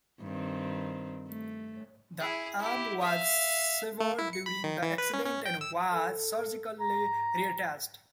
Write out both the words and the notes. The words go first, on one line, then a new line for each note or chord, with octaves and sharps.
The arm was severed during the accident and was surgically reattached.
G2 D#3 C4
A3
E4 G#4
E4 G4
E5 F5
A3
E4
C#7
B5
D#3
E3
B4
C#4
C#4
G5
E6
A4
A#5